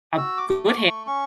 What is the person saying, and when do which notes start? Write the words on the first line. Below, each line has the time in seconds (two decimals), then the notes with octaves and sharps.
a good
0.17 F#4 E6
0.37 D6
0.47 A3
0.68 D6
0.77 A3 C#6
1.07 C#4 C#6